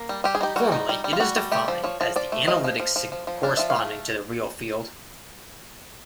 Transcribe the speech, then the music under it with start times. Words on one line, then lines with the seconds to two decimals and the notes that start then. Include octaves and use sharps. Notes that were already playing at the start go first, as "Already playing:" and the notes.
Formally, it is defined as the analytic signal corresponding to the real field.
Already playing: A#3
0.09 G3
0.24 G3 G4
0.35 G#4
0.41 D#4 G4
0.56 G3 F#4
0.72 D#4
0.89 G3
1.04 G3
1.13 F4
1.20 G3 F#4
1.36 G3
1.52 A3 G4
1.68 F3
1.84 F3 C#5
2.01 F3
2.16 F3 D5
2.32 A3
2.48 F3 D#5
2.64 F3
2.80 F3
2.96 F3
3.12 F3
3.27 F3
3.43 D4 F5
3.57 F3 E5
3.70 F5
3.75 A3